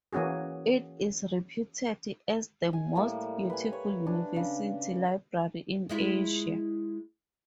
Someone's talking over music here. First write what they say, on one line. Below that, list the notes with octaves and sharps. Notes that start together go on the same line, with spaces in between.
It is reputed as "the most beautiful university library in Asia".
E3 A#3 C#4 F#4 G#4
G#5
A2 G3 A#3
B4 G#5
C#5
D4 G#5
C#3
G#3 E4 F4